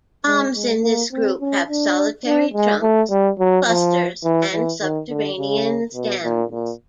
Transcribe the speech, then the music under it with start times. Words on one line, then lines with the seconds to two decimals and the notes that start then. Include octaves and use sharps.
Palms in this group have solitary trunks, clusters, and subterranean stems.
0.26 G#3
0.54 G#3
0.83 A#3
1.12 C4
1.40 C#4
1.68 D4
2.25 D4
2.53 G#3
2.82 A3
3.10 G3
3.39 F#3
3.67 F3
4.24 E3
4.53 E3
4.81 D#3
5.09 D3
5.38 C#3
5.94 B2
6.24 A#2
6.52 A#2